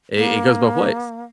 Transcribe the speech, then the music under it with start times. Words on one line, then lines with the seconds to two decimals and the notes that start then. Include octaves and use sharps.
It it goes both ways,
0.16 A#3